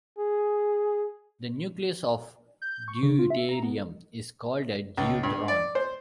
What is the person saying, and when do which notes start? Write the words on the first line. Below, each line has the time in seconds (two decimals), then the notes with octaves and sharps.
The nucleus of deuterium is called a deuteron.
0.18 G#4
2.62 G6
2.76 G6
2.88 C#6
3.03 C#3
3.19 F4
3.30 E5
3.49 A#5
3.63 B3
4.97 C#2
5.23 G2
5.48 D5
5.75 C5